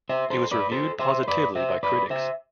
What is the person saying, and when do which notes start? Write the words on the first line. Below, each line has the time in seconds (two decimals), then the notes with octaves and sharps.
It was reviewed positively by critics.
0.09 C5 E5
0.30 A4 C5
0.51 B4 D5
0.72 A4 C5
0.99 C5 E5
1.24 C5
1.28 B4 D5
1.55 C5 E5
1.83 B4 D5
2.10 C5 E5